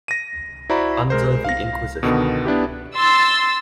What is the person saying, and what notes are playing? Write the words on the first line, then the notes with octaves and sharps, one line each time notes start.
Under the Inquisition.
A#6 D#7
E4 F#4 C5 D5 A#5 B5
G#3 A#4 C5
F5 A#6
B2 D3 D#3 B3
B3 D4 E4 G4
C6 E6 A6